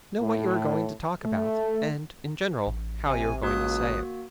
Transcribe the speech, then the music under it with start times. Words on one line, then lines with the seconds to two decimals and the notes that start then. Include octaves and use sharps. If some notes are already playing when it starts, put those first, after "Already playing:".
Know what you are going to talk about, and, in general, how you are going to say it.
0.19 A2
1.24 A3
2.66 A1
3.08 C3 G#5
3.43 C#2 A#3 F#4 D#6 F#6